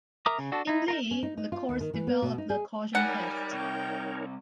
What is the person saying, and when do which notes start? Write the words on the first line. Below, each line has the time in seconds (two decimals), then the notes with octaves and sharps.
In "Lee" the Court developed the coercion test.
0.26 A#4 E5 A#5 D6 D#6
0.39 C#3
0.52 D4 F#4 A4
0.67 D#4 E4
0.88 D#4 F4 A#4
1.11 C#4
1.23 D#4
1.37 D#4
1.52 F4
1.69 D#2
1.81 D#3
1.94 E3
2.07 B3
2.22 B2
2.38 D#4
2.50 G#4
2.95 G3 D#4 A#4 C#5 F#5 G#5
3.53 C2 G5